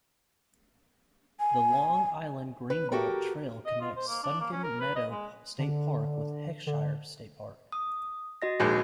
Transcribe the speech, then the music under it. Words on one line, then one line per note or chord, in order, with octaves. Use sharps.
The Long Island Greenbelt Trail connects Sunken Meadow State Park with Heckscher State Park.
G#5
B4
F#4 G4 A4 A#4
D#5
F4
C5
A#3
D4
A#3
C#4
A#4
B4
D#5
G#3
D3
D3
D#6
F#4 D#5 A#6
A#1 D#2 G#3 F#4